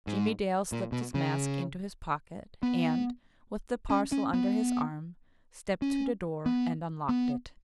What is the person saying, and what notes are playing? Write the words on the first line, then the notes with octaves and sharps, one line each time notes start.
Jimmie Dale slipped his mask into his pocket, and, with the parcel under his arm, stepped to the door and unlocked it.
G#2
A#2
B2
C#3
B3
C#4
C#4
B3
C#4
B3
B3